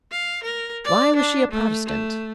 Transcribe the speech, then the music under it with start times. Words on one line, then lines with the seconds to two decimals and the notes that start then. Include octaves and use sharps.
Why was she a Protestant?
0.12 F5
0.44 A#4
0.85 D5
1.16 D4
1.52 A3
1.86 A3